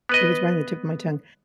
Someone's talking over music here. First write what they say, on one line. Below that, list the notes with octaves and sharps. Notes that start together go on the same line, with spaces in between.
it was right on the tip of my tongue.
B3 B4 D#5